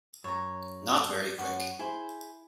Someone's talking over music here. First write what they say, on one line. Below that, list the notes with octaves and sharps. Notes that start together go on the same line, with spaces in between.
Not very quick.
F#2 C#5 A#5
F#2 C#4 F#4
E4 G#4 C5